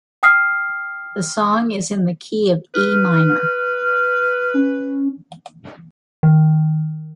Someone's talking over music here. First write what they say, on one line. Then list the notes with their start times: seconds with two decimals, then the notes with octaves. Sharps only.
The song is in the key of E minor.
0.23 G5 D#6 F6 C7
2.74 B4 F6
4.54 C#4
6.23 D#3